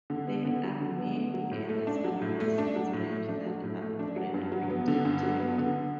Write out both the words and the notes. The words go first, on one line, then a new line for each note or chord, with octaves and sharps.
There are many areas across its range that are already protected.
D3
B3
D3
F#3
D3
B3
D3
F#3
A2
A3
D4
F#3
A2
A3
D4
F#3
A2
A3
D4
F#3
A2
A3
D4
F#3
G2
F#3
B3
D3
G2
F#3
B3
D3